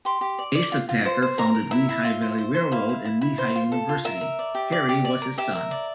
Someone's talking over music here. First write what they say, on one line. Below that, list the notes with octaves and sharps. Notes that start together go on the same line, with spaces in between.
Asa Packer founded Lehigh Valley Railroad and Lehigh University; Harry was his son.
G4 C6
G4
D5
D5
F4
F4
C5
C5
A#4 A#5
A#4
E4 E5
E4
F4
C5
C5
C5
E4 F5
E4
E4
E4
C5
F4
A4
F4
A#4 E5
A#4
D5
G4
D5
G4
D5
A#4
G4 E5
A#4
D5